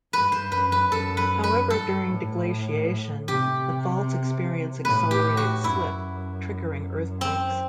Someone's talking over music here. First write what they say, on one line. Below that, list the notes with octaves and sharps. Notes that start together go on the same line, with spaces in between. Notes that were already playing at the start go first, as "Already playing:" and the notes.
However, during deglaciation, the faults experience accelerated slip triggering earthquakes.
G2 B4
C5
F#2 B4
B4
F#2 A4
B4
B4
G2 A4
A2
C3 G4
A2 B4
G4
F#4
F#2 E4
C4